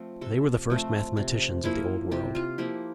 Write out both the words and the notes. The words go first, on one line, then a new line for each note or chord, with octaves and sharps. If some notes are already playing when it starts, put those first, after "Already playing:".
They were the first mathematicians of the Old World.
Already playing: F3 A3 C4
C3 A4
F3 A3 C4
C3
F3 A#3 E4
C3 G4
F4
F3 A#3 E4 G4